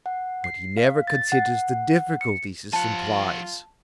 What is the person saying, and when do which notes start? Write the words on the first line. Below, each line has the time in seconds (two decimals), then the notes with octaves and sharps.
But he never considers the difficulties this implies.
0.06 F#5
0.44 C7
0.77 F5
1.07 A6
1.32 F#5
2.21 C#7
2.73 F3 F4 F#5 A5